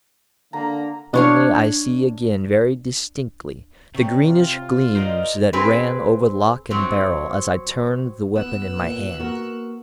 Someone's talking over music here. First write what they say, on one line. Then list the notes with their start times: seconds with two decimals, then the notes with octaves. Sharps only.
Only I see again very distinctly the greenish gleams that ran over lock and barrel as I turned the weapon in my hand.
0.53 D3 A#3 A#5
1.14 D4 C#5 F5
3.95 C3 G4 C#5 D5
4.26 F4
4.95 D#4 A#4 C5 D5 D#5
5.53 C4 G#4 B4
6.71 F#3 C4
8.36 B3 E6 F#6
8.77 A#2
9.19 A#3 F#4 A#4